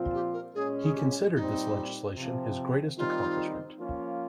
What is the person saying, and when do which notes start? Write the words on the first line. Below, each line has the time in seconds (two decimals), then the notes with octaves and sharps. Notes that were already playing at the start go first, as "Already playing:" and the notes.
He considered this legislation his greatest accomplishment.
Already playing: A#2 F3 C4 F4
0.14 G4
0.33 A#4
0.54 A#2 G#3 C#4 G#4
0.83 G#4
0.95 G4
1.35 A#2 G3 C4 D#4
2.17 C3 F3 C4
2.97 D#3 G3 C4 D#4 F4
3.78 F3 A#3 C#4 F4